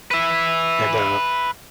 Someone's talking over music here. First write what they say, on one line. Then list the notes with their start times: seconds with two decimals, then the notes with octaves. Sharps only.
and, uh,
0.11 B4 E5